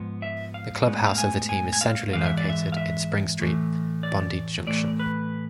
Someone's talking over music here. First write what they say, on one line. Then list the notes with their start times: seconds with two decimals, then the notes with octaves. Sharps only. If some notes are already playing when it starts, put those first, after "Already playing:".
The clubhouse of the team is centrally located in Spring Street, Bondi Junction.
Already playing: G#2 F3 G#3 B3
0.22 E5
0.54 F5
0.86 A2 G#3 B3
1.07 F5
1.18 G#5
1.49 G#5
1.73 G#5
1.81 F5
2.13 G#2 E3 G#3 F5
2.25 E5
2.37 D5
2.49 E5
2.72 F5
2.77 E5
3.40 A2 E3 A3
4.03 D5
4.67 A2 E3 A3 D5
5.00 B4